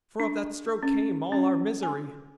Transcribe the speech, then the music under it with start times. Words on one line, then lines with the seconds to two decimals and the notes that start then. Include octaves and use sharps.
For of that stroke came all our misery.
0.20 D4
0.83 C#4
1.32 C#4
1.83 G#5